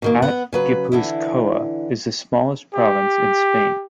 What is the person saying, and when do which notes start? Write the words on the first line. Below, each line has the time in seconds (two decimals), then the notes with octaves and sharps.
At Gipuzkoa is the smallest province in Spain.
0.02 B2 D#3 A#3
0.22 B3 F#5
0.53 C#3 F#3 B4
0.92 D3 E3 E4
2.74 G4